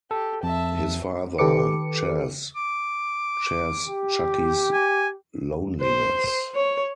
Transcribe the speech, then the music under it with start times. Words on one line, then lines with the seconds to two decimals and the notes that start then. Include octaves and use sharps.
His father, Chas, shares Chuckie's loneliness.
0.11 G4 A4
0.43 F2 E5 A5
1.38 D#3 G4 A4 B4 D6 C#7
2.56 D6
3.87 G4
4.73 G#5
5.82 C5
6.55 C#5